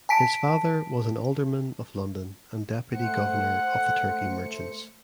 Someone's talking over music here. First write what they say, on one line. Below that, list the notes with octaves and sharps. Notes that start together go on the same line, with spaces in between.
His father was an alderman of London and deputy governor of the Turkey Merchants.
G#5 A5 B6 D7
A3 C5 F#5 C#7